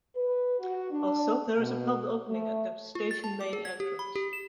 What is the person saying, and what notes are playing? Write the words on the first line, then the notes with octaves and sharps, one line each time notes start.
Also, there is a pub opening at the station main entrance.
B4
F#4
D4
B2
A3
F4
A6
A5
D6
G#4
G#6
G4
B5
G4
E7